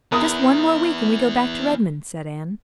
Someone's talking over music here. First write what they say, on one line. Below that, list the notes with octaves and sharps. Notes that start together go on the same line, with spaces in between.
"Just one more week and we go back to Redmond," said Anne.
E2 B3 E4 A#4 D#6